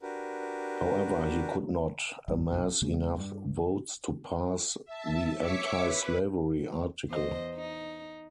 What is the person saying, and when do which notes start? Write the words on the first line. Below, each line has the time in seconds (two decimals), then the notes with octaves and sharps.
However he could not amass enough votes to pass the anti-slavery article.
0.01 D4 F#4 G4 A#4 B4
2.28 G#1 F#2 G3
2.51 B1 F#2 A#2
2.82 E2 C#3 G#3 A#3
3.17 G2 G3
4.85 E5 A5
5.35 C#5 E5 D6 B6 C#7
5.81 B4
7.09 E2 C5 D#5
7.55 D#4